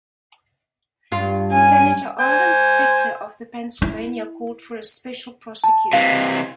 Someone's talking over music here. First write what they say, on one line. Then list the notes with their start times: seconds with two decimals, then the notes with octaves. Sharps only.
Senator Arlen Specter of Pennsylvania called for a special prosecutor.
1.12 G2 F4
1.51 C#4 G#5
2.20 C5 G#5
3.82 E4
5.64 A5
5.93 C3 E3 F5